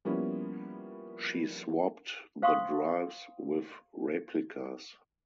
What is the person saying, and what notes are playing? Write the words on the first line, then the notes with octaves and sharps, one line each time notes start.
She swapped the drives with replicas.
F3 G3 A#3 B3 C#4 E4
C5 F5 G5 C6 C#6 D#6